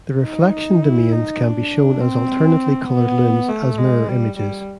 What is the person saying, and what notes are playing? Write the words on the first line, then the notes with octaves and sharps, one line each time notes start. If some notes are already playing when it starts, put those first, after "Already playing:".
The reflection domains can be shown as alternately colored lunes as mirror images.
D#4
E4
D#4
D4
C4
B3
A3
G#3
G3
G3